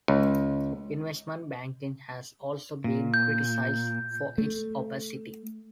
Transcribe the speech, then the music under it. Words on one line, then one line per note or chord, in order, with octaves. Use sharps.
Investment banking has also been criticised for its opacity.
C#2
A#2
G6
A3